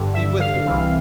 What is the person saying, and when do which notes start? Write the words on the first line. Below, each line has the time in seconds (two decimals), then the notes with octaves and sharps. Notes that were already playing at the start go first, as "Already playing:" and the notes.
Be with her!
Already playing: G2 D3
0.14 E5
0.40 F5
0.66 C2 C3 E3